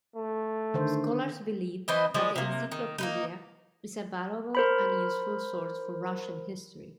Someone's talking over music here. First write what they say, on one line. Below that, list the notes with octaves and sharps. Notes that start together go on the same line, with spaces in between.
Scholars believe that the Encyclopedia is a valuable and useful source for Russian history.
A3
D3 D#3 C5
E3 C4 B4 D#5
F3 G#3 D5
C3 A#3
D#3
A#3 B3 D#4
A#4 C5 B5